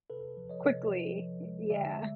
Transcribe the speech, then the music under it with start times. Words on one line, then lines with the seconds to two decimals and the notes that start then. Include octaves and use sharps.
quickly. Yeah.
0.10 C3 A4 B4
0.37 F3
0.49 C#5 D#5
0.64 C3
0.90 F3
1.18 F3
1.43 G#3
1.70 D3 D5 E5
1.97 G#3